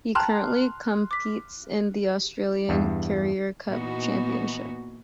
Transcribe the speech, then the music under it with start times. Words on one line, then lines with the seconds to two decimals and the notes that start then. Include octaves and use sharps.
He currently competes in the Australian Carrera Cup Championship.
0.15 G5 A5 A#5 C6 F6 F#6
1.11 D6 B6
2.69 E2 G2
3.67 A#2 E3 B3 D#4 F#4